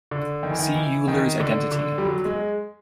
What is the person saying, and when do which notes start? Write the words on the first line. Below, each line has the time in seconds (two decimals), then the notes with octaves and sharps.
See Euler's identity.
0.11 D3
0.43 D#3
0.50 E3
0.59 D#3
0.75 E3
1.08 D#3
1.40 D3
1.72 D3
1.98 G3
2.04 F#3
2.25 G#3